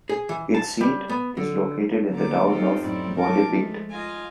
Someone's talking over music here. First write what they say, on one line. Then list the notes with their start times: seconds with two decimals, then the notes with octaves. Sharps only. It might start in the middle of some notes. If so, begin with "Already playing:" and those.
Its seat is located in the town of Bollebygd.
0.09 G#4
0.29 E3
0.55 A5
0.81 G3
1.09 B3
1.37 D3
2.11 D3 A#3 B3 A#5 D6
2.47 C4 D#4 F4 G4 A4 F5
2.80 F#2 A2 C4 D#4 E4 D5
3.16 G2 B2 C#4 A#4 A5 D6
3.46 F3 G#3 A3
3.90 F4 D#5 F5 G#5